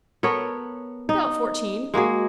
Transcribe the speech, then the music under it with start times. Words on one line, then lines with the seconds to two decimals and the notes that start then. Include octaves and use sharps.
"About fourteen."
0.23 B3 A4 A#4 C#5
1.09 D#4
1.94 G#3 A#3 F#4 G#4